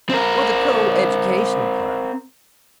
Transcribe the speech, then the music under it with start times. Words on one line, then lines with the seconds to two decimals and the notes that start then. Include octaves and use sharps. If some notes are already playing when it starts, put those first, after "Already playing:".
Or the Co-educational Club?
0.10 C4 A#4